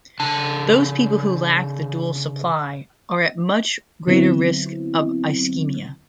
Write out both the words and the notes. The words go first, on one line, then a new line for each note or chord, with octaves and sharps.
Those people who lack the dual supply are at much greater risk of ischemia.
C#3 D4 A5
D3 F#3 B3 C4 E4